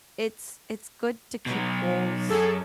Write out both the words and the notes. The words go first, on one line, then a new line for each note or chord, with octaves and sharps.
It's it's good to keep goals
B2 F#3
F#2 G#4 A4